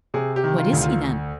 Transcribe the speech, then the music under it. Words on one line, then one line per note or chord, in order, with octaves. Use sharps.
"What is he, then?"
C3 G#4
G4
D#3
F4
D2
F4